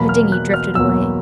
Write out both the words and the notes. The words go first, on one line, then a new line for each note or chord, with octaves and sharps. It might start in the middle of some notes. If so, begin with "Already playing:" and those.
The dinghy drifted away.
Already playing: E2 B2 F#3 A#3 B5
F6
F#6
F6
E2 B2 F#3 A#3 E6